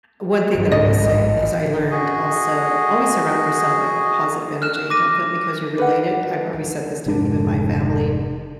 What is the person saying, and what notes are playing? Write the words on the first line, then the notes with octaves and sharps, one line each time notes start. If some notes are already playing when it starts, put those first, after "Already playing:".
one thing that I will say is, I learned also, always surround yourself by positive energy, don't feel because you're related I've always said this to even my family,
G2 F#3
C#2 G#2 C#3 D#5
A1 G#2
A1
F#4 G#4 D#5
F6 F#6 E7
D6 A#6 D#7
B4 F#5
F1 G#2 D4